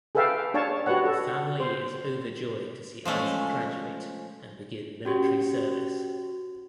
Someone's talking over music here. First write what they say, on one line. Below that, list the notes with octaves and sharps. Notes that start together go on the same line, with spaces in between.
The family is overjoyed to see Isaac graduate and begin military service.
G#4 A4 B4 E5 F5 G5
D4 C#5 F5 A5
F#4 G4 B4 C#5 F#5
A4
C5
F3 G#3 A3 C#4
C#4 F#4 G4